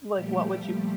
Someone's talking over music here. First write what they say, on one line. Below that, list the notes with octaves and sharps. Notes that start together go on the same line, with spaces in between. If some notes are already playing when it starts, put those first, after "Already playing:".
Like, what would you
A#2 F3 G3 A3 G4